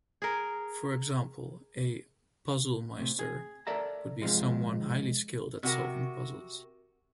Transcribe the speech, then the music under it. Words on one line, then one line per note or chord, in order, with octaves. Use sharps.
For example, a "puzzle-meister" would be someone highly skilled at solving puzzles.
G#4 A#4
A2 C3
G#4
A4 A#4 D5 E5 A5 A#5
G#2 C3 F3 G#3
C3 F#4 A#4